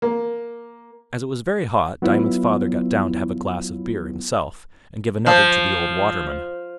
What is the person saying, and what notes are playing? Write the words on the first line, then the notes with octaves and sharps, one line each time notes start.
As it was very hot, Diamond's father got down to have a glass of beer himself, and give another to the old waterman.
A#3
F#3 B3 E4 F4
F3